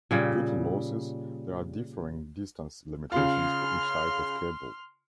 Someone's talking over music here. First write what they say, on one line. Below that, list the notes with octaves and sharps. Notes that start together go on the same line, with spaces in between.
Due to losses, there are differing distance limitations for each type of cable.
A#2 C#3 G3
C#3 F4 C6 F6